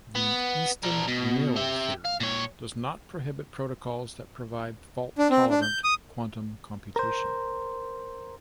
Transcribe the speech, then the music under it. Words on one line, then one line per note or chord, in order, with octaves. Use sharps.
The Eastin–Knill theorem does not prohibit protocols that provide fault tolerant quantum computation.
B3
D4 A#4
B2
G4 E5
F5
A#2 C#5
D4
C4
D4
G6
D#6
A#4 C5